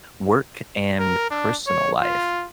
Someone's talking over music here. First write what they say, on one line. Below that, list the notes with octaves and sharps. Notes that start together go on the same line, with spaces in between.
work and personal life.
A#4
D4
C#5
F4